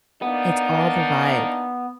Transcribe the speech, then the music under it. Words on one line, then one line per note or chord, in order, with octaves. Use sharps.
it's all the vibe.
A#3 B3 D4 D#4